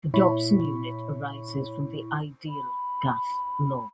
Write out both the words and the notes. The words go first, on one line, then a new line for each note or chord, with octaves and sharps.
The Dobson Unit arises from the ideal gas law.
A#2 E4 C#5 B5 C#6
B5